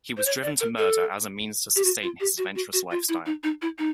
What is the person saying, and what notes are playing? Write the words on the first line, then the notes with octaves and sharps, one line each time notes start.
He was driven to murder as a means to sustain his adventurous lifestyle.
C5
C#5
D5
A#4
A4
G4
F#4
F4
G4
F#4
F#4
F#4
F4
E4
D#4
D#4
E4
D#4